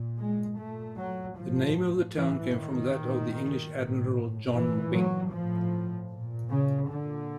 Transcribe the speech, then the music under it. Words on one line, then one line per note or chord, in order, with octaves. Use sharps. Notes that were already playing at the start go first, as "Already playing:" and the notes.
The name of the town came from that of the English Admiral John Byng.
Already playing: A#2
G#3
A#2 A3
F#3
A2 F3
A2 E3
D#3
A#2
A2
A#2 E3
F#3
A2 F3
A#2
C#3
A#2 D3